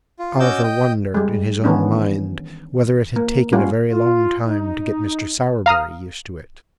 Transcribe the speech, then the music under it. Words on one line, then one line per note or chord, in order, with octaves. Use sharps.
Oliver wondered, in his own mind, whether it had taken a very long time to get Mr. Sowerberry used to it.
F4
C#4 F#4 D#5 D6 E6 G6
D#5 G5
G3 G#3
D#3 E3 B3 C#4 D4
A#3
G3 C#4 F4
F4
D#4
F5 A#5 D#6 F6